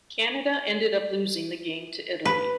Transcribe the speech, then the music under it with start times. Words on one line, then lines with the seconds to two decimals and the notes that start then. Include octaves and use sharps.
Canada ended up losing the game to Italy.
2.25 B4